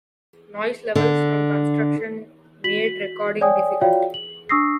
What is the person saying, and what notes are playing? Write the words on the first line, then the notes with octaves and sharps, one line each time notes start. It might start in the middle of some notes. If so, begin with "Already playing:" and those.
Noise levels from construction made recording difficult.
D3
F#4 B6 F#7
C#5 D5 G5 G#5 D#6
F4 F#4 C#5 D5 F5 G5
F#7
D4 C#6 D#6 E6 A#6 C7